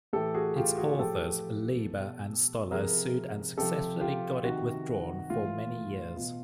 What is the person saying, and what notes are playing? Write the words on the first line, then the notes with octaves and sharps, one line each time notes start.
Its authors, Leiber and Stoller, sued and successfully got it withdrawn for many years.
A2 E3 G4 A4
F#4 G#4
F4 G4
F#4 G#4
A2 F3 G4 A4
B2
C3 F3 G#4 A#4
C3 F3 G4 A4
F4 G4
C3 D#3 F#4
A2 E3 F4
B2 F4